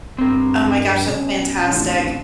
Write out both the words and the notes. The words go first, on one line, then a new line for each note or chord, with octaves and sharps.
Oh my gosh, that's fantastic.
G2 C4 A#4
B2 C#4
A1 F2 D3 F3